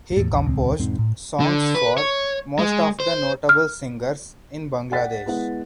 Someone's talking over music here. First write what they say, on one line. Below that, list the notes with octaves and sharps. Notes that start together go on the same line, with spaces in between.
He composed songs for most of the notable singers in Bangladesh.
E2 A2
A#1 E2
D#1 C#2 C4
E1 G#2 C4
A2
D3
B4
C#5
G#3
C5
F6
D5 F#5 G5 A6 B6
G#3 B3 E4 F#5